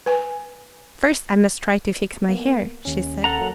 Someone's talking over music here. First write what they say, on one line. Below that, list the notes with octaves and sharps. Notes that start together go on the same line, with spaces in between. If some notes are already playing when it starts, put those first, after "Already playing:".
"First I must try to fix my hair," she said.
B4 G#5
A#3 B3
D#2 C#4
A4 F#5 A#5
F#3 A#3